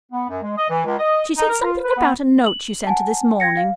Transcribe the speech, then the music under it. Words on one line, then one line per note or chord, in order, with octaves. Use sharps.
She said something about a note you sent her this morning.
B3
F#2
G#3
D#5
E3
C#2
D#5
D#4
A#4
F4
B4
B3
F#7
F#5 G#5 A5
G5 G#6 A#6 C#7
F5